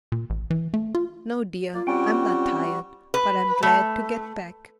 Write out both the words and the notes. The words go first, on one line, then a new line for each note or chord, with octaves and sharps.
"No, dear, I'm not tired--but I'm glad to get back."
A#2
A1
E3
A3
F4
A#3 F4 D5
G3 C4 C#4 F#4 G5
B4
A3